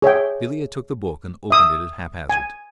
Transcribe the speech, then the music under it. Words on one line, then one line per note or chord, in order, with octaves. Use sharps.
Villiers took the book, and opened it at haphazard.
G#4 C#5 E5 G5
E5 D#6 E6
G#5